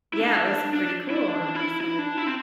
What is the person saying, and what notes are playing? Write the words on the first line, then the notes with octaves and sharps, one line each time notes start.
Yeah. It was pretty cool, and I said,
E4
D4
D4
E4
D4
E4
E4
D4
E4
C4